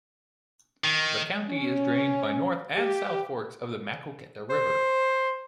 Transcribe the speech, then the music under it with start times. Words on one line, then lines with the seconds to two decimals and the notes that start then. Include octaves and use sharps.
The county is drained by north and south forks of the Maquoketa River.
0.84 D#3
1.49 C#4
2.76 G4
4.50 C5